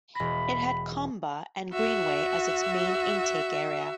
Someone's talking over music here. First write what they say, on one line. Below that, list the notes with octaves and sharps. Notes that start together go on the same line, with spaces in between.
It had Kambah and Greenway as its main intake area.
E1 B5 A#6
F#4 E5